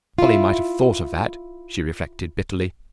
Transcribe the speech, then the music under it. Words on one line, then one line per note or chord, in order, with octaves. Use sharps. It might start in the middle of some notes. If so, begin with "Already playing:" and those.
Polly might have thought of that, she reflected, bitterly.
E4 F4